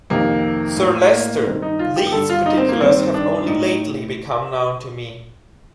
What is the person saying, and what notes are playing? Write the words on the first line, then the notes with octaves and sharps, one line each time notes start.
Sir Leicester, these particulars have only lately become known to me.
F2 C3 D#3 A#3
A2
A#3
G2 D#3 C4
D#4
F4
G4
G4
G2 D3 A4
F4
D#4
C4
A#3
G2 D#3 C4
D4
D4
A2 D#4